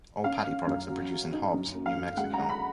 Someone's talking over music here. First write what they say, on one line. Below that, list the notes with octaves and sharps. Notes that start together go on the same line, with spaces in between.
All patty products are produced in Hobbs, New Mexico.
C#4 F5
C#4
F#2
F#3
F#3
D#4
F#2
A#3
F5
F#2
G#3 F#5
A#5
G#3
B5